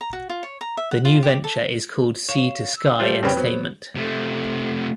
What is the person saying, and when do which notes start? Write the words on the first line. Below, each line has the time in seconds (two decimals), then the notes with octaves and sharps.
The new venture is called Sea to Sky Entertainment.
0.01 A#5
0.13 F#4
0.29 F4
0.43 C#5
0.61 A#5
0.77 E5
0.91 F#5
1.05 F4
1.23 G4
1.44 A4
2.29 C#5 F5 E7
2.76 E6
3.00 G3 A3 F4 C5
3.23 F2 C#3 G3 C4 B4 C#5 G5
3.37 F#3 B3 C5
3.96 C3 A3